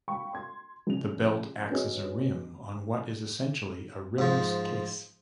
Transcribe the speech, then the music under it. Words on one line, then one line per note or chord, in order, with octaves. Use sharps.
The belt acts as a rim on what is essentially a rimless case.
F5 G5 B5 C#6
C6 G#6
A#1 C#3 F7
B3 C#4 D4 F#4 G#4 D#5
G#2 F3